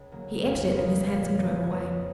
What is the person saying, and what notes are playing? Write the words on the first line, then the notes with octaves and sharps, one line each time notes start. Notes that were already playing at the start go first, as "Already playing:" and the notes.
He entered it, and his hansom drove away.
Already playing: C#2
C#3 F#3 A#3
F2 C#5 F5
C#5
F3 A#3 B4 D#5
A#2 C#5 F5
F3 A#3 B4 D#5
C#5
F2 B4 D#5